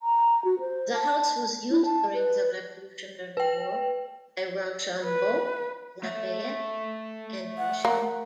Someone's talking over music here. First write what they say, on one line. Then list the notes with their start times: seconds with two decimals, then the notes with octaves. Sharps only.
The house was used during the Revolutionary War by Rochambeau, Lafayette, and Washington.
0.01 A#5
0.45 F#4
0.60 C5
0.94 A5
1.71 E4
1.85 A5
2.14 B4
3.37 B4 G5
5.04 B4
6.03 A3 E5
7.58 F#5
7.85 A#3